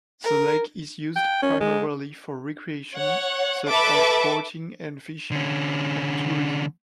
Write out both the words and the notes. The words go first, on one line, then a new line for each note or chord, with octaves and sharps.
The lake is used primarily for recreation, such as boating and fishing, and tourism.
A#4
G5
C#4
G#3
C#5 F#5
A4 B4 E5 D6
D3 C#4